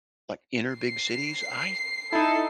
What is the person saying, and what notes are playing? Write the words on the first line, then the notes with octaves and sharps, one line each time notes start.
like, inner big cities, I
C7
D#4 E4 A4